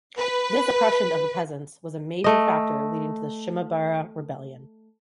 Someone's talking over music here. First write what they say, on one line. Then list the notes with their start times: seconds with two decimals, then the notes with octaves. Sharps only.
This oppression of the peasants was a major factor leading to the Shimabara Rebellion.
0.18 B4
2.24 A3 D#5